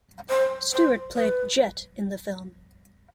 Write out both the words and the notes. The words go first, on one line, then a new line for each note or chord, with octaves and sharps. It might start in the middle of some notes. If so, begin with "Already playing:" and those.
Stewart played Jett in the film.
C5
C5
B4